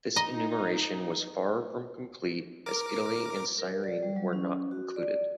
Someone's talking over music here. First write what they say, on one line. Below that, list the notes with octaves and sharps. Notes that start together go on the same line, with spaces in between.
This enumeration was far from complete as Italy and Cyrene were not included.
D#4 D#5 A#5
A#4 D6
A#4
D5
G3
F#3
C#4
F#4
D5